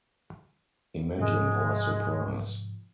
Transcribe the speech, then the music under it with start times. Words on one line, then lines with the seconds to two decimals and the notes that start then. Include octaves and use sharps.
Imagine our surprise.
1.18 G#2 C3 F3 G#3